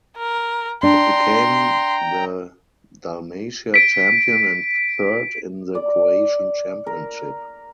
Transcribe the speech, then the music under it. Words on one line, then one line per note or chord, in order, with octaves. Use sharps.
It became the Dalmatia champion and third in the Croatian championship.
A#4
D4 G5 A#5 C6
B6 D7
D5
A#4